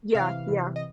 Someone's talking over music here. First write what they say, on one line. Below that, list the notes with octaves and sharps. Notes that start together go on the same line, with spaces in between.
Yeah, yeah.
C3 E3 F5
C3 E3
D#5